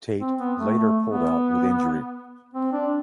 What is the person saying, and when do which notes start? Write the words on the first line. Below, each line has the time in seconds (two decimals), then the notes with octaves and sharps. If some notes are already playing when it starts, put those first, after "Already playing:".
Tait later pulled out with injury.
0.20 C4
0.40 B3
0.59 A3
0.78 A3
1.08 B3
2.54 C4
2.73 D4